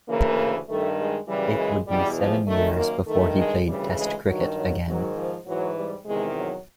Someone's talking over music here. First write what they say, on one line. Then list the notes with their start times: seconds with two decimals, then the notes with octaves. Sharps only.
It would be seven years before he played Test cricket again.
0.08 D2 C#3 E3 A#3
0.68 G2 D#3 A3
0.98 G#3
1.28 F#2 C#3 E3 G3
1.58 G#3
1.88 E2 B2 G3
2.18 F3
2.47 F#2 D#3 A3
2.78 A#3
3.07 G2 D#3 A3
3.37 G#3
3.67 D2 C#3 E3 G3
3.97 G#3
4.26 G2 D#3 F#3
4.56 F#3
4.86 G#2 D#3 F#3
5.16 F3
5.46 G#2 E3 F#3
5.76 G3
6.05 E2 C3 D#3 G#3
6.36 F#3